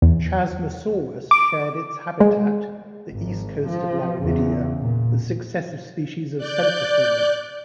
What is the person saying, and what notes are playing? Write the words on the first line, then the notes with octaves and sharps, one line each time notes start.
"Chasmosaurus" shared its habitat, the east coast of Laramidia, with successive species of "Centrosaurus".
E2
D6
G#3
G#1
F3
E2 C#3
A#2
D5 F#6 G6